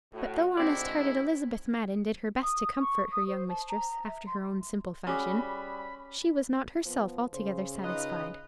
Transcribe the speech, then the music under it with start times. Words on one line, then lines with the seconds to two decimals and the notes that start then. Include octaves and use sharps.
But though honest-hearted Elizabeth Madden did her best to comfort her young mistress after her own simple fashion, she was not herself altogether satisfied.
0.14 A2 F#4
0.57 G#2 D3 C4 E4 D5
2.42 D#6
2.80 C#6
3.12 D#6
3.27 C5
3.49 A5
3.69 A#5
4.07 E5
4.26 C6
5.07 G3 C#4 F#4 G#4 B5 D6
6.85 F3 B3
7.34 C#3 C5
7.84 D#4 F4 B4 D#5